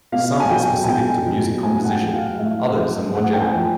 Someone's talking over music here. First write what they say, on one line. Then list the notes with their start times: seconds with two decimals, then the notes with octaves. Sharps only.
Some are specific to music composition; others are more general.
0.12 B2 F5
0.40 G#5
0.49 F#3 G5
0.84 G#5
0.88 B2 G5
1.26 F#3
1.63 A2 G#5
1.84 F#5
1.89 G5
2.02 F#3
2.14 F5
2.35 F5
2.39 A2 E5
2.77 F#3
3.15 A2 F#5
3.34 G5
3.40 G#5
3.54 F3